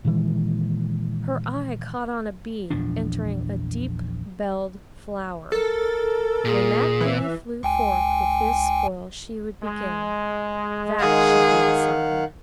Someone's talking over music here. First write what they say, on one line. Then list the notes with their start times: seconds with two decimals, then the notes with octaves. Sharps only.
Her eye caught on a bee entering a deep-belled flower: when that bee flew forth with his spoil she would begin--that should be the sign.
0.05 A#2 D#3 E3 G#3
2.70 A#1 E2 F3 D4
5.52 A4 A#4
6.45 A#2 G#4
7.01 E3
7.63 C#2 G5 G#5
9.63 G#3
11.00 D#3 G#4 F5 F#5